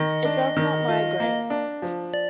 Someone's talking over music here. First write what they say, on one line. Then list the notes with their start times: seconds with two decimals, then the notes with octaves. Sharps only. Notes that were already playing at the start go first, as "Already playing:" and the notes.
It does not migrate.
Already playing: D#3 D#5
0.25 D4
0.57 D#3
0.88 F4
1.20 A#3
1.50 D4
1.82 F3
2.14 D5